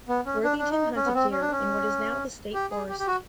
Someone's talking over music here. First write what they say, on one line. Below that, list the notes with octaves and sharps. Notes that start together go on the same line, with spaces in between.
Worthington hunted deer in what is now the State Forest.
B3
C#4
D4
D4
D#4
C#4
B3
C4
C#4
D4
C#4
G4
G#4
G4
G4
F#4